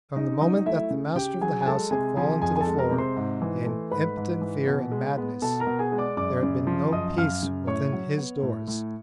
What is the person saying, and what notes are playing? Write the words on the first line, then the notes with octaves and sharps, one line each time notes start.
From the moment that the master of the house had fallen to the floor in impotent fear and madness there had been no peace within his doors.
C#3 D#4 D#5
F#3 D#4 D#5
A3 E4 E5
C#3
C#3 G4 G5
F#3 G#4 G#5
G#5
G#3 A4 A5
C3 G#4 G#5
F3 G#4 G#5
F2 G#4 G#5
G#5
A4 A5
G#3
A#4 A#5
C3
C5 C6
G#2
E3
A3
G#2 B4 B5
G#2
E3
B2
G#3
B3
B2 A4 A5
A#4 A#5
B2
G#4 G#5
G#3
D5 D6
F#2 D5 D6
C#3
F3
F#2 D#5 D#6
F#2 F5 F6
C#3
A2 C#5 C#6
F#3
B3
A2
A2